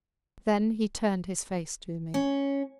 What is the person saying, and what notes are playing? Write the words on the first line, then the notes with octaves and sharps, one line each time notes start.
Then he turned his face to me.
C#4